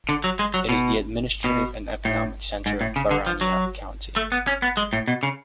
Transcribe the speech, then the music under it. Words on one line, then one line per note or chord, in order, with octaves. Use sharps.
It is the administrative and economic centre of Baranya County.
D3
F#3
G#3
F#3
B2
B2
A2
G#2
A2
C#3
D3
F3
F#3
A3
B3
C#4
B3
G#3
A2
B2
C#3